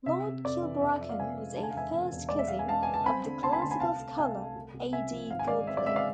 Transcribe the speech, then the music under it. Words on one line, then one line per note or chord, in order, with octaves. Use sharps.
Lord Kilbracken was a first cousin of the classical scholar A. D. Godley.
C3 E5
C3
F2 D5
E3
F2 E5
D5
F3 E5
D5 F5
C3 E5 G#5
G#3
D3 A5
G#5
F5
E1 E5 G#5
E1
E1
G#3 D5
E5
G#3 F5
G#5
G#3 F5 A5
B3 G#5
A5
C4 G#5 B5
D3
D2 A5 C6
G#5 B5
D2 A5 C6
G#5 B5
C2 F5 A5
A3
C2 E5 G#5
A3
C2
C2
C3 E5 G#5
F3
G#1 F5
G#5
G#3 D5 F5
C4 E5
D5
G#3 E5
D5 F5